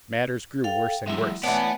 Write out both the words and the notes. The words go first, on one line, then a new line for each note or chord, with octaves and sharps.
Matters grew worse and worse.
A4 F5 G5
F#3 G#3 E4 E5
E3 A3 B3 D4 C#5 F#5 G#5